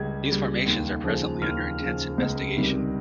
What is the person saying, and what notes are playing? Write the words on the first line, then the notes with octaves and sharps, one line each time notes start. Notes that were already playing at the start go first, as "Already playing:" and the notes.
These formations are presently under intense investigation.
Already playing: C#2 C#3 G3 G#6
C#3 G3
D#2
C#3 F3
D#2 F6
C#3 F3
C#2
C3 D#3 G3